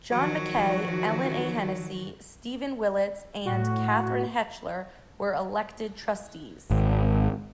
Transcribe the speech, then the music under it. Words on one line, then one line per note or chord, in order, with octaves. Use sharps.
John Mackay, Ellen A. Hennessy, Stephen Willets and Catherine Hechler were elected Trustees.
D#3 F3 F#3 F#4
A2 F#4
G#1